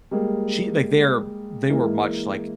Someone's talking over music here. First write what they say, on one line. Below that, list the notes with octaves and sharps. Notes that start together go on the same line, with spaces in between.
she like, they're they were much, like,
G3 G#3 A#3
E3 G#3 A#3 E4